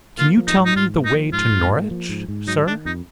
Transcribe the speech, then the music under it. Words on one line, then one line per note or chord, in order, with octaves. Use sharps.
"Can you tell me the way to Norwich, sir?"
A#3 F4
F3
D#4
G#2
D#4
G#2 F4
A#3
D#4
F3
G#2 F4
G#2
A#3
F3
G#2
G#2
F#3 D#4
D#3 D4
F2 D#4